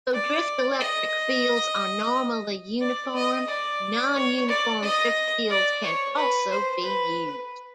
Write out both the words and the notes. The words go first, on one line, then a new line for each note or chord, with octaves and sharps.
Though drift electric fields are normally uniform, non-uniform drift fields can also be used.
D5
D#5
D5
D#5
D5
C#5
D5
D#5
D5
C#5
B4
C5
B4